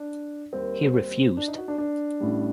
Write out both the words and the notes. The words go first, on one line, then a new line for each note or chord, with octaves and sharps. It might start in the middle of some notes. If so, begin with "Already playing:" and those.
He refused.
Already playing: D4
D#2 D#3 G3 C4
D4
D#4
F#4
D4
D4
A1 A2 G3